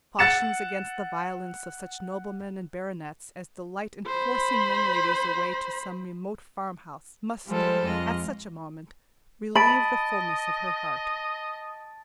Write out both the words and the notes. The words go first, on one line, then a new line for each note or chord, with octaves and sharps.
Cautions against the violence of such noblemen and baronets as delight in forcing young ladies away to some remote farm-house, must, at such a moment, relieve the fulness of her heart.
F#5 A6 C#7 E7
C5 B5
F3 G3 G#3 F4 A4 C5
F2 G#3 F4 D#5
D#5 A5 B5 A6 D7